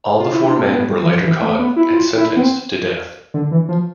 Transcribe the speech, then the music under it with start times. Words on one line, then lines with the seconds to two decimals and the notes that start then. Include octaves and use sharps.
All the four men were later caught and sentenced to death.
0.20 F4
0.33 E4
0.46 D4
0.59 C4
0.73 B3
0.89 G3
1.02 E3
1.07 F3
1.25 E3
1.42 A3
1.59 B3
1.76 E4
1.87 E4
1.94 F4
2.17 E4
2.37 B3
2.41 C4
3.34 D3
3.51 E3
3.69 F3